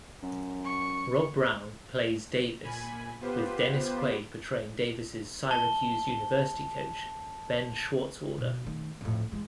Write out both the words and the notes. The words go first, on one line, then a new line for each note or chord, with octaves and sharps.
Rob Brown plays Davis, with Dennis Quaid portraying Davis' Syracuse University coach, Ben Schwartzwalder.
F#2
C#6
A#2 G#5 B5
B3 F4 G4 B4 C5
A5 G7
B2
D#3 A3
F2 A2
E3 G#3